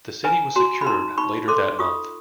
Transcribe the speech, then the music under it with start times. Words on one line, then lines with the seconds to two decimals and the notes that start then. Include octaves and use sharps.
The city was secured later that month.
0.24 B4 G#5 A#5
0.56 F#4 A#5 C6
0.81 B5
0.87 D#4 A#5 C6
1.18 D#4 B5 C#6
1.48 A4 C6 D6
1.79 F4 C#6 D#6